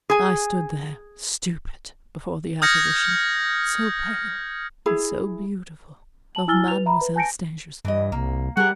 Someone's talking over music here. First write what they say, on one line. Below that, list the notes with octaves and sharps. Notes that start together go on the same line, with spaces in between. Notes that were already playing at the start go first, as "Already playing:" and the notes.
I stood there, stupid, before the apparition--so pale and so beautiful--of Mademoiselle Stangerson.
G#4 G#5
D#6 F6 G6 G#6 A#6 C#7
E4 G#4
A5 F#7
E4 G#5 E6 F6 A6 G7
B4 F7
E5 A#5 B5
B4
G#5 A5 G6 A#6 C#7 D7
G2 E3 D#5
C2 A#3
G3 G#4 A#4 F#5